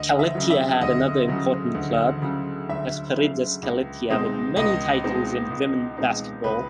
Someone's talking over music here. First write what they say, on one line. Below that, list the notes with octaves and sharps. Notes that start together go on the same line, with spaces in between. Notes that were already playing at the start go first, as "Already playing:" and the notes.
Kallithea had another important club, Esperides Kallithea with many titles in women basketball.
Already playing: D2 D#5
E5
C#3 F#3
E5
D2 D#5
C#3 F#3
D2
C#3 F#3
D2 E5
C#3 F#3
C#2
B2 G#3 C4 D#4
C#2 D#5
B2 G#3 C4 D#4
C#2
B2 G#3 C4 D#4
C#2 B4